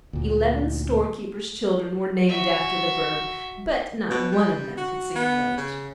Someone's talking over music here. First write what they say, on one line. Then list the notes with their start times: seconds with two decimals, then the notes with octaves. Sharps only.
Eleven storekeepers' children were named after the bird, but not one of them could sing a note.
0.13 D2 A#2
2.29 F#4 E5
4.10 B2
4.32 G3
4.77 F#4
5.16 B3
5.57 C#3